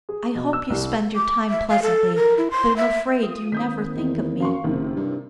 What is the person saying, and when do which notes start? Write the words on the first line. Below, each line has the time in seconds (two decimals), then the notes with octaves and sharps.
I hope you spend your time pleasantly, but am afraid you never think of me.
0.09 G#4
0.35 B2
0.53 E6
0.70 C2
1.16 D6
1.50 E5
1.69 F5
1.82 A4
2.16 A#4
2.38 E4
2.51 C6
2.77 E5
3.22 F4 D#6
3.52 D#3 A#3 C4 D#6 G6 B6
3.97 E2 D#4
4.40 F#2 F5 C6 C#6
4.63 F#1 C3 D#3 C4 E4
4.96 G2